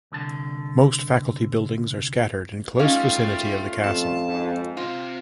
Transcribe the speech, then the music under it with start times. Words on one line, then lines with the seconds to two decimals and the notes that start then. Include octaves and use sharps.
Most faculty buildings are scattered in close vicinity of the castle.
0.12 C2 D3 A5
2.79 G3 A3 C#4 D#4 F4 F5
3.84 F2 A5
4.26 G#2
4.77 C3 F4